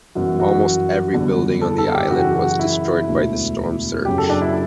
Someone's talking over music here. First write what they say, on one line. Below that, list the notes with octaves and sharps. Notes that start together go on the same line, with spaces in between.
Almost every building on the island was destroyed by the storm surge.
G1 F#2 E3 F#4
F#4
F#1 E2 D3 G3
A4
A4
G4
F#2 C#3 E3 F#4
F#4
E4
E1 D2 D3
F#1 F#2 C#3 F#3 G4
A4
D4
E4